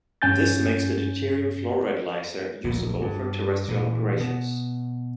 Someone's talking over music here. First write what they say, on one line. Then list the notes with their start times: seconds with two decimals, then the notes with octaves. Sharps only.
This makes the deuterium fluoride laser usable for terrestrial operations.
0.22 G2 C#4 G#5 G6 A6
2.64 D1 A#1 A2
3.01 G2
3.68 A#2 E3
4.20 B2